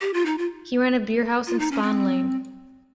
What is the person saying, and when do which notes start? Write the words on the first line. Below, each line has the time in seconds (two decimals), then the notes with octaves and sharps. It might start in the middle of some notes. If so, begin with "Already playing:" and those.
He ran a beer house in Spon Lane.
0.01 G4
0.14 F4
0.26 D#4
0.38 F4
1.47 F4
1.59 D#4
1.71 C#4
1.82 C4